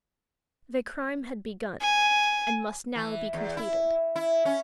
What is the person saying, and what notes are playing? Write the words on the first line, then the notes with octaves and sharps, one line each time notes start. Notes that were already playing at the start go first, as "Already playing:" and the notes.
The crime had begun and must now be completed.
G#5
E3
E2
E4
E4
C#4